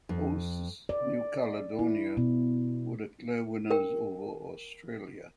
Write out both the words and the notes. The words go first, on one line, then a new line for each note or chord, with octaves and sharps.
Hosts New Caledonia were the clear winners over Australia.
F2
D5
E4
B2
A#4 G5